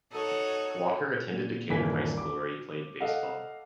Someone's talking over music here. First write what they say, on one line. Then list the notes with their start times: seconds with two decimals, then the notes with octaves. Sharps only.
Walker attended Decatur High School where he played baseball.
0.12 D#4 F#4 A4 C#5
1.32 A#2
1.70 D#1 G2 E3 A#3 B6
2.17 D6
3.00 A4 D#5 F5 F#5